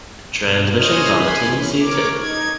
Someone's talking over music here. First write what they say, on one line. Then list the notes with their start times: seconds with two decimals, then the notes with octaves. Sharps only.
Transmissions on the Teen-C Tip!
0.40 G2 B2
0.77 G#4 C5 C#5 D#5 D#6 F6
1.14 G#5 B5 C6
1.50 E3 C#4
1.80 A#4 C#5 D6
2.18 D#4 G#6